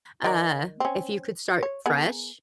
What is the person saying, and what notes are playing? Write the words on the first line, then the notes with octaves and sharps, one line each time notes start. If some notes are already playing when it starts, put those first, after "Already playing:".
uh, if you could start fresh?
D#3 A#4 D5
C4 C#4
C#5
B3 G#4 A#4